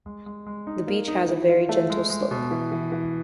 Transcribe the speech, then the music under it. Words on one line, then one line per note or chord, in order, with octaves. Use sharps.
The beach has a very gentle slope.
G#3
G#3
G#3
D#4
A#3
D#4
E3
F4
A3
G#3
G#3
B2
E3
E3
E3